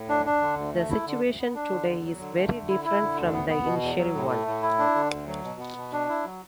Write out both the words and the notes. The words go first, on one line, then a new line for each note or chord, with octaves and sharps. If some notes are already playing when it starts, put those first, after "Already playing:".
The situation today is very different from the initial one.
Already playing: A2
D4
D4
D3
D2
A3
E4
D3
D2
B3
D4
D3
E2
F#3
D3
A3
D3
E4
E4
D3
D2
B3
B3
B2
E2
F#3
A2
A3
A2
E4
D4
D3
D2
F#3
B2
B3
B2
D4
E4
F#3